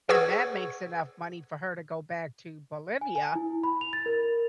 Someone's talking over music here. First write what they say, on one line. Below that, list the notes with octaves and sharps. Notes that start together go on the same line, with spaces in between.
and that makes enough money for her to go back to Bolivia
G#4 B4 F#5 C#6 E6 G#6
G#5
G#5
E4
B5
F7
A6
A#4